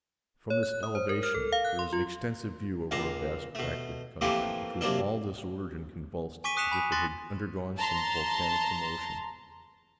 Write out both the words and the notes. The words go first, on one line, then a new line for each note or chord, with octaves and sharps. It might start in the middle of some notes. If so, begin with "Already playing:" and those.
From this elevation there was an extensive view over a vast tract of country, which was all disordered and convulsed as if it had undergone some volcanic commotion.
C#5
F#6
D#6
C5
A#4
F6
A4
F5
F#6
C6
F4
C#2 A#2 F5 A5 A#5
B2 A3
E3 F3 A3 A#3 C4 G4
C3 F#3 A#3 D4 A4
G#5 C#6 D6 B6 D#7
D#6 F#6 B6 C#7 E7 F7
G#5 B5
C6 D6 F#6 A6 A#6
A5 A#5 C6